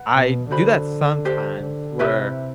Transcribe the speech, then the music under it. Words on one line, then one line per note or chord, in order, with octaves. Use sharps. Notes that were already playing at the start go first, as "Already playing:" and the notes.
I do that sometimes where
Already playing: B4 F#5
B2
D3 F#4 C5 G5 B5
D4 G4 C5 G5
D3
C3 E4 G4 B4 E5